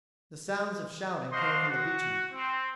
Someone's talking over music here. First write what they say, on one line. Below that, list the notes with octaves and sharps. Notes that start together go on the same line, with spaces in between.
The sounds of shouting came from the Beecham's.
D4 F#4 C5 D#5 F5 C6
F#4
C4